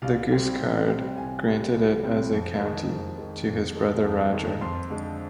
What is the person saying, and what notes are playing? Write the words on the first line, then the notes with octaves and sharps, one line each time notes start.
The Guiscard granted it as a county to his brother Roger.
C2 F5
C3 G3 C4
C2
C3 G3 C4
C2 G#5
C3 G3 C4
C2
C3 G3 C4
F2
D#3 G#3
F2
D#3 G#3
F2
D#3 G#3
F2
D#3 G#3
F2 C6
D3 G#3